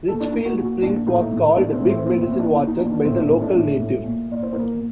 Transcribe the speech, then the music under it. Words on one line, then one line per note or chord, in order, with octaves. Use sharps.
Richfield Springs was called "Big Medicine Waters" by the local natives.
A#2 A4
D4
A#2 D#4
F#4
A#2 F#4
A#2 D4
A2 D#4
A2
A2 D4
D4
C4
A2
C4
A#2 C4
C4
A#2
D4
A#2 D#4
D#4
A#2 D4
D4
A2 C4
D4
A2 C4
D4
A2
A2
A#2
A#2 D5
C5
A#2 A#4
A#2